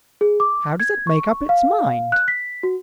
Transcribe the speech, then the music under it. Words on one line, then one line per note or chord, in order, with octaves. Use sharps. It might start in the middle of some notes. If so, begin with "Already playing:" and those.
"How does it make up its mind?"
G#4
D6
G#6
C#6
F5
F#6
B6
F#4